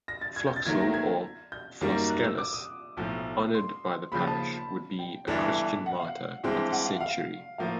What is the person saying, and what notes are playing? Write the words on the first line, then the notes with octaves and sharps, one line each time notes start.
Floxel or Floscellus, honored by the parish, would be a Christian martyr of the century.
A#6
A6
G#6
G6
A6
D#2 D#3 F#3 A3 G#6
A#6
G#6
G6
F#2 D#3 G3 A#3
F#6
E6
D6
D#6
B1 A2 F3
C6
D#2 C#3 F3 B5
A5
G5
G1 G2 E3 A3 D4
F#5
F5
G2 E3 G#3 C4
F#5
F5
F5
A2 F3 A#3 F5